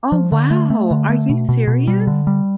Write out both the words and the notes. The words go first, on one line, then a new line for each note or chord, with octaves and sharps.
Oh wow! Are you serious?
F3
D3
A3
A3
D3
A3
B2
B2
B2
G3
D3
G3